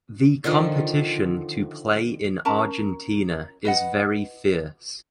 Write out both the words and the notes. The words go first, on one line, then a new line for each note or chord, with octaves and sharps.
The competition to play in Argentina is very fierce.
D3 D#3 F3 D4
C#4 A#4 A5 A#5
B4 D#5 F#5